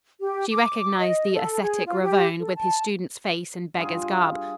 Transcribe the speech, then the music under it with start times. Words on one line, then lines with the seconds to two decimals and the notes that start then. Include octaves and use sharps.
She recognized the ascetic Ravone, with his student's face and beggar's garb.
0.21 G4
0.51 D6
0.99 D#5
1.36 A4
1.62 G#4
1.86 F4
2.01 G4
2.41 A4
2.56 A5
3.77 G2 F4 G#4